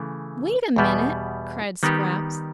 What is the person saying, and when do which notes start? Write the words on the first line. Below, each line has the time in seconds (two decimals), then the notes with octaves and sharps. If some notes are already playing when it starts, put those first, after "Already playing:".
"Wait a minute," cried Scraps.
Already playing: C#3 E3 A3
0.76 E2 B2 G3 B3
1.83 D#3 G3 B3 D#4 G4